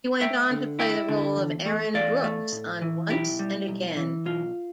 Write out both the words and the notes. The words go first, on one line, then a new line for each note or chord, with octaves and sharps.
He went on to play the role of Aaron Brooks on "Once and Again".
A3 E5 G5
D3
E4 E5 G5
D3
E2
A3
E2 D5 F5
A3
A2
E3
B1 E4 G4
G3
B1
E3
B1 F4